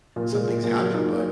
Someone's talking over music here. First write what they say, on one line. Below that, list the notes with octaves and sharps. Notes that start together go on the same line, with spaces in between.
some things happen, but,
A#2
G#3
A#2
A#2
F#3
D#4
A#3